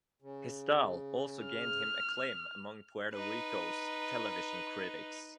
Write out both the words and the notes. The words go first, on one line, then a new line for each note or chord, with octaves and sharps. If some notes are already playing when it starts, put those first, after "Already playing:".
His style also gained him acclaim among Puerto Rico's television critics.
C#3
F6
D#4 B4